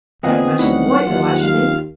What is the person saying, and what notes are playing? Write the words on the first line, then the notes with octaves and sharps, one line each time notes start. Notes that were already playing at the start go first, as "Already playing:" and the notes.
'Very much to the point though, I should think.
E2 A#2 B3 C4 G#4 D#5 F5 F#5
D2 F#3 D#4 E4 F#5
D#2 F4
F5